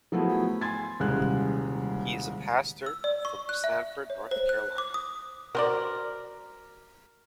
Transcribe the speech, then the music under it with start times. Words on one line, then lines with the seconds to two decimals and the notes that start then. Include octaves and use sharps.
He is a pastor from Sanford, North Carolina.
0.12 F3 F#3 A3 B3 E4 G#4
0.61 G#5 C6 G#6 A6
1.00 D#1 C2 C#3 G#3 F#6
2.86 E6
3.04 D5
3.25 C#6
3.49 F#6
3.64 E5
4.10 C#5
4.31 C5
4.49 F#6
4.78 D6
4.94 D#6
5.55 F#4 A#4 C5 D5